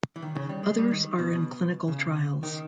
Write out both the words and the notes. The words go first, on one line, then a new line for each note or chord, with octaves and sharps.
Others are in clinical trials.
E3
D#3
C#3
G3
G#3
G3
D#3
B2
B2
C#3
D#3